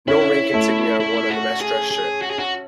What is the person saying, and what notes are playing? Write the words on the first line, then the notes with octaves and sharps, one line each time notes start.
No rank insignia are worn on the mess dress shirt.
C#4 E4
A3
E4
F#4
G#4
G#4
F#4
G#4
F#4